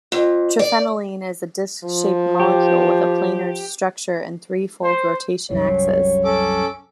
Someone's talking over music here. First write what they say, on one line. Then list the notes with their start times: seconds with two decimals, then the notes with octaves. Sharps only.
Triphenylene is a disc-shaped molecule with a planar structure and three-fold rotation axes.
0.12 F2
0.59 D5
1.84 F3
2.40 G4
4.84 C5
5.51 C2 F#2 C3 C#5
6.24 C#4 A4 D6